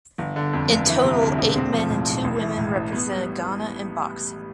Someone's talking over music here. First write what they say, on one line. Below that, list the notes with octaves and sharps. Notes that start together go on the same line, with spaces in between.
In total eight men and two women represented Ghana in boxing.
G1
D3
F2
G1
E3
C3
D2
E1
C4
F3
A2
B1
A1
E3
A2
A1
B3
G3